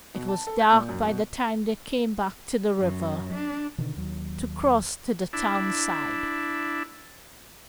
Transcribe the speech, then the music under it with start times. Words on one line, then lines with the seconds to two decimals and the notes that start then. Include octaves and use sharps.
It was dark by the time they came back to the river, to cross to the town side.
0.14 B2
0.28 A5
0.47 A4
0.60 G6
0.72 A#2
0.89 F#2
1.07 B2
2.78 F#2
3.32 D4
3.78 B2 D3 D#3
3.97 D#2 F#3
5.33 D4 E4